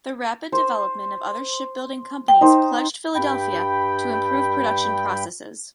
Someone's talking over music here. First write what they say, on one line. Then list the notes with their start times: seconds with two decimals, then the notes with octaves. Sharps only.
The rapid development of other shipbuilding companies pledged Philadelphia to improve production processes.
0.52 C5
2.28 G5
2.41 D#4 C5
3.16 G2 G5 B5